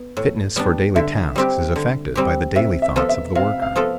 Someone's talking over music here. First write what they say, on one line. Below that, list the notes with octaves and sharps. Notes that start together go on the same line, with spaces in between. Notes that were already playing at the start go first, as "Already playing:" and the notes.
Fitness for daily tasks is affected by the daily thoughts of the worker.
Already playing: B3
A2
G3 B3 D4
D3 E5
G3 C4 G4
D3
G3 C4 G4
C3 E5
E5
F3 B3 F4 A4
E5
C3 F5
F5
F3 B3 F4 A4